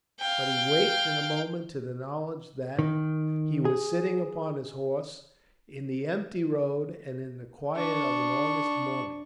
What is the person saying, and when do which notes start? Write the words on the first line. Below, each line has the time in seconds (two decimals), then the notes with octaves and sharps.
But he waked in a moment to the knowledge that he was sitting upon his horse in the empty road and in the quiet of an August morning.
0.20 F5 G5
2.79 D#3
3.65 G#4
7.76 D4 C#6